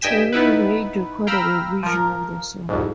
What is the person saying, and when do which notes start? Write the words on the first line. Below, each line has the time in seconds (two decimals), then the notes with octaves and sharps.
Terry Reid recorded a version of the song.
0.01 G2 D#5 G5 G#5 B6 E7
0.33 B3 D#4 E4 B4
1.27 F5 G5 A#5 B5 E6 F6
1.83 F3 A#4
2.69 C2 F2 G#2